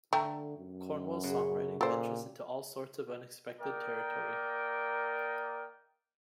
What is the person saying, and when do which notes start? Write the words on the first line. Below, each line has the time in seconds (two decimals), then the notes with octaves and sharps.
Cornwell's songwriting ventures into all sorts of unexpected territory.
0.13 D3 A3 G5 A#5
0.57 F#2
1.24 C#3 F#4
1.81 A#2 G4 A4 C5
3.61 A#3 A#4 D5 D#5 G5